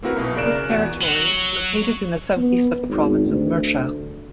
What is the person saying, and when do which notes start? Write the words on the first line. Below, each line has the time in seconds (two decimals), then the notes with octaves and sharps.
This territory is located in the southeast of the province of Murcia.
0.03 A#3 C4 E4 F#4 A#4 B4
0.16 B1 B2
0.36 C#3 A#4 D5 F#6 D7 E7
0.70 E2 F#4
1.01 F#3
2.37 B3
2.89 G#1
3.25 D2